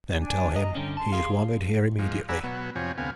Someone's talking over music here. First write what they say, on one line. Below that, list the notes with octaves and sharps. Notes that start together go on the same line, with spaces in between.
"Then tell him he is wanted here immediately."
D4 G#5
D#5 A#5
G2 D3 C#4 G5 A#5
A5 C6
G4 G#4 F5
G#2 F3
D5 F#5 G#5 A#5 B5 E6
B2 F#3 B3
F2 C3 F3 C#5 G#5
D2 C3 B3 F5 G#5